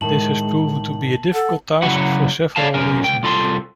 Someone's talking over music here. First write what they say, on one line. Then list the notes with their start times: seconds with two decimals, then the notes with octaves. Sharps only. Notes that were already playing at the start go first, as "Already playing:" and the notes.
This has proven to be a difficult task for several reasons.
0.01 A2 D#3 G#3 A5 F#7
1.33 A4 F#5
1.82 C#3 F#3 E4 F#4 F#5
2.56 C#5 D5 E5 F5 A5
2.74 B1 C#4 A#4
3.04 C#2 G5
3.23 C2 F4 A4 B5 C6